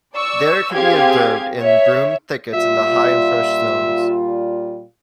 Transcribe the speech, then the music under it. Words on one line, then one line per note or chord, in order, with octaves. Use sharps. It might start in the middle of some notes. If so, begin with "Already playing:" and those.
There it could be observed in broom thickets in the high and fresh zones.
D5 C#6 E6
C4 G4 G#4 F5 G#6
C#5 E5
A#2 G3 F4 E5